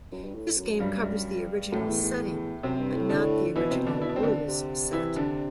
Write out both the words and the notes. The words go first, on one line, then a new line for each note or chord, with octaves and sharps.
This game covers the original setting, but not the original rules set.
F#2
G2
A2
F#2
G2 G3
F#2 A2 A3
E2
E2
F#2 C3 C4
G2
A2
D3 D4
B2 E3 E4
C3 C4
D3 D4
E4
D4
C4
D3 D4
C3
E3 E4
D3 D4